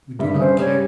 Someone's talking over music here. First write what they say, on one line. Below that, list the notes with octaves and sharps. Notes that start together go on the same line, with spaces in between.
We do not care.
G2 E5
C#4 C5
G3 C#5